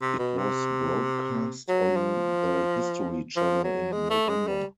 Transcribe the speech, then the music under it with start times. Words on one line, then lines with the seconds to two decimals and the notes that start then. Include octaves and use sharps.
It was broadcast on the History Channel in November.
0.02 C3
0.19 B2
0.38 C3
1.69 F#3
1.97 F3
3.36 F3
3.64 F#3
3.92 G#3
4.10 A3
4.29 G#3
4.48 G3